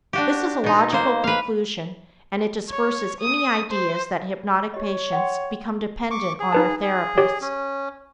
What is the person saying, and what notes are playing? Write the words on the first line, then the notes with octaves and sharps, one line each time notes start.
This is a logical conclusion and it disperses any ideas that hypnotic patients become dependent on their therapists.
D4 F#4 G4
B2 D#4
A#3 C5
B4 F5
C#5
D#6
C5
G4 C#5 D#5
F#5 G5 C6
C#6 D6
G#4
D#4 B4 A5
G#4
G4 C#5
C#4